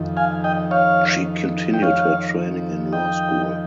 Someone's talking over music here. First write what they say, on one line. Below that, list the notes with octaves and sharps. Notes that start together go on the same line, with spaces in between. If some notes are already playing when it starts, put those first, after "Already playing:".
She continued her training in law school.
Already playing: F2 D#3
F5 G#5
D#5 G5
C#5 F5
G5
F2 D#3 C#5 F5
D#5 G5